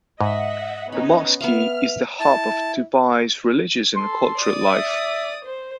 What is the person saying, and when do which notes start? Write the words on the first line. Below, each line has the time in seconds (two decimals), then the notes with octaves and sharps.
The mosque is the hub of Dubai's religious and cultural life.
0.21 G#2 D#5 E5 F#5
0.92 B3 C#4 D#4 D#5 B5
1.41 B3 E5 F5 F6
2.20 E4 A5
3.96 A4 C6
4.37 D5 D#6
4.67 E5
5.44 C5